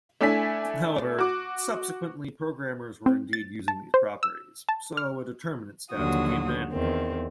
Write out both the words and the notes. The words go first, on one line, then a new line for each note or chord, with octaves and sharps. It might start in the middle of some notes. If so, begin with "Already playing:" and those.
However, subsequently programmers were indeed using these properties, so a determinate status became mandatory.
A3 D4 E4 G#5 B6
F#4 D6
C4
A6
A5
C5
E6
A5
F6
D#2 D3 F3 F#3 F#4 D#6
E2 D#3 C4